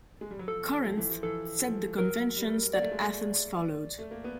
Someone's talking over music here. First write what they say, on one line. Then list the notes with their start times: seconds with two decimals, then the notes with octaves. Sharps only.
Corinth set the conventions that Athens followed.
0.21 G#3
0.31 G3
0.39 F#3
0.48 F3 A4
0.85 F3
0.97 E3
1.10 F3
1.23 E3 A4
1.61 F3
1.98 F#3 A#4
2.37 G3
2.73 A#3 D5
2.83 A3
2.92 G#3
3.00 A3
3.99 A3
4.11 A#3
4.24 B3